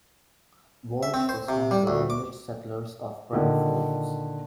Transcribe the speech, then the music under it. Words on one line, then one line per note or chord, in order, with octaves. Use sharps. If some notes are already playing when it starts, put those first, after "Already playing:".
Walsh was one of the earliest settlers of Grand Forks.
E5
C4
C5
C3
G3
D2
D6
A#2 D3 D#3